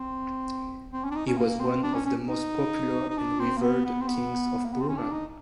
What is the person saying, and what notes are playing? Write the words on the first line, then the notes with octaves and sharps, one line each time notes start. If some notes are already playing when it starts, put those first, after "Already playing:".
He was one of the most popular and revered kings of Burma.
Already playing: C4
C4
C#4
D4
D#4
C#4
A#3
C4
D4
C#4
C#4
D#4
D#4
D4
C4
A#3
B3
B3
C4
B3
A#3
B3
C4
C#4
D4
D#4